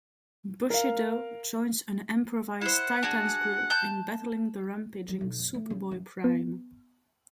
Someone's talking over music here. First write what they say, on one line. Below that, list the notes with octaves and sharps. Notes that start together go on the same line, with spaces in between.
Bushido joins an improvised Titans group in battling the rampaging Superboy-Prime.
A#4 F5
E4 C5 F#5
D4 F#4 G#4
A5 F#6 G6
F#3
B1
F#1
A3
C#3
F#2
B3